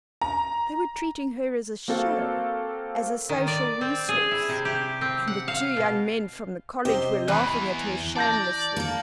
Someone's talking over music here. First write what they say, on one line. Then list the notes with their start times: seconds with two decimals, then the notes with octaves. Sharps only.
They were treating her as a show, as a social resource, and the two young men from the College were laughing at her shamelessly.
0.21 A#5
1.88 A#3 C4 F#4 A4 F5
3.29 D#3
3.48 D5
3.81 C4
4.09 G#4
4.31 E4
4.49 C3
4.65 G4
5.01 C4
5.27 F#5
5.48 F5
5.76 B2
6.85 C3 G4 C5 D#5
7.28 E2 E3 B5 F#6
8.16 D5 A5 G6 A#6
8.77 A#3 A4